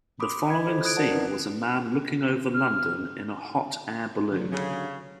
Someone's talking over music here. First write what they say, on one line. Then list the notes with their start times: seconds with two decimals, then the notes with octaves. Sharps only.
The following scene was a man looking over London in a hot air balloon.
0.20 B5 C6 D6 D#6
0.47 D#5 B5 G#6
0.66 E4 F4 A4 C5
0.84 D#6 F#6 G#6 D7
0.97 F#4 A#4 D5 F#5 A5
1.11 C4 C#4 D#4 E4 B4
2.54 F6
4.32 D3 F#3
4.51 C#3